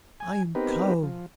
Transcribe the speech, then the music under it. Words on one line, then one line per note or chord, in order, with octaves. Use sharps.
"I am cold."
G#5
B3 C4 D#4 G4 A#4 B4
F3